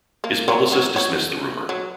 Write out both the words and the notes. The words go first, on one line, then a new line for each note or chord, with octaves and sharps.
His publicist dismissed the rumor.
A#3
F#3
F#3
F#3
F#3